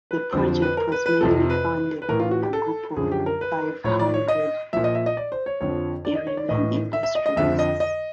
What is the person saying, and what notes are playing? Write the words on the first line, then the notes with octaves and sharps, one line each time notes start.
The project was mainly funded by a group of five hundred Iranian industrialists.
B4
F2 D3 F3 C5
C5
B4
A#4
B4
B4
F2 C3 F3 A4
B4
B4
A2 E3 A#4
F4
F#4
G4
A4
F#2 D3 F3 G#4
G4
A#4
B4
A2 F3 C#5
D5
C#5
D#5
A#2 F3 E5
D#5
E5
D#5
D5
C5
C#5
F2 D3 F3 C#5
D5
D#5
C#5
D5
A2 E3 D#5
E5
E5
D#5
D#5
F2 D3 F3 E5
D#5
D#5